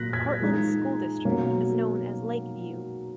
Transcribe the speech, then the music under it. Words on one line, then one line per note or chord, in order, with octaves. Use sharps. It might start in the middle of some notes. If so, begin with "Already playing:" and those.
Cortland's school district is known as Lakeview.
Already playing: A#2 F#3 A#3 F#6 A#6 B6
G#6 B6
F3 G#3 D#4
B2 F#3 A#3 C#4